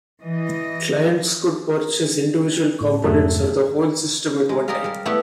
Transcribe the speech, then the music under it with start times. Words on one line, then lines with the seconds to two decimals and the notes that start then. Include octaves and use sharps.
Clients could purchase individual components or the whole system at one time.
0.22 E3 D#5
2.81 A2
3.04 F2 G#2 C3 F#3 A3
4.49 G#3
4.68 G4 G#4 A#4 D5 D#5 F5
4.84 G3 A#4
5.06 A3 B3 E4 G4 B4 D5